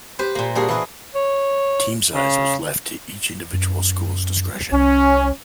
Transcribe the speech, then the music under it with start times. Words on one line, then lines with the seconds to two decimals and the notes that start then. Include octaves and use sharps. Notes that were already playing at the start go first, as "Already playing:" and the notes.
Team size was left to each individual school's discretion.
0.19 G4 B4 C5
0.35 A#2 A#3
0.55 A#2 G3 D4 F#4 G#4 F5
0.68 E3 F4 B4 D#5
1.15 C#5
2.13 C#3
3.53 F#2
4.72 C2 C#4